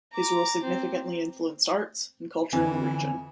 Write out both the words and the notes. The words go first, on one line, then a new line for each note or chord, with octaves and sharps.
His rule significantly influenced arts, and culture in the region.
A#5 D6
C4
F2 D3 E3 G#5